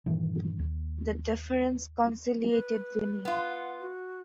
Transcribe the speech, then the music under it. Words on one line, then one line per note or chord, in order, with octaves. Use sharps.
The deference conciliated Vinnie.
G2 A#2 D#3 E3
D#2
B4
B3 F4
F#5
F#4